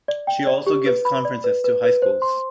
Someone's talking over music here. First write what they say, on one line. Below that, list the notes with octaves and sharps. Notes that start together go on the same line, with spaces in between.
She also gives conferences to high schools.
D5
G5
D5
G4
B4
B5
D5
B4
B4
B4
C5
C6